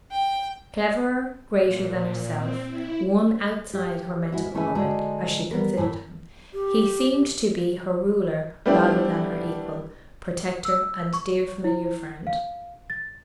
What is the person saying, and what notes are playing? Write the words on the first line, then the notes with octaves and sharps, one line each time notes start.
Cleverer, greater than herself, one outside her mental orbit, as she considered him, he seemed to be her ruler rather than her equal, protector, and dear familiar friend.
G5
A#2
C4
E4
G4
G#3 E4 F#4
A3 C#4 E4 G#4 E5 G#5
D3 G#3 D#4 F#4
G3 B3 A#4
F#2 A2 C#3 E3
G4
G3 A3 B3 D4 E4 G4
E6
C#6
E4
F5
A6